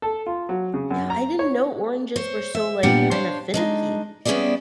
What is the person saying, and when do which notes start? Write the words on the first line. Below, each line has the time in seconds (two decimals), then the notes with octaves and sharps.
Yeah, I didn't know oranges were so, like, kinda finicky.
0.02 A4
0.27 F4
0.49 F#3
0.74 C#3
0.91 F#2
1.10 A#5
1.39 C#5
2.16 C5 C#5
2.55 E5
2.83 A#2 G3 B3 D4 G4 F#5
3.11 D4 C5 C#5 F5
3.54 G#3 D4 D#4
4.25 G3 B3 C#4 E4 G#4 D5